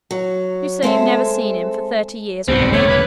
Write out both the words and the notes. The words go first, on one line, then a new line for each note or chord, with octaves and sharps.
You say you've never seen him for thirty years, or more?
F#3
G#3 C4 A4 E5
C#2 G#2 B3 C4 D4 C5
A#1 D3 A3
E1 G2 D3 A3 A#3 C#5
B4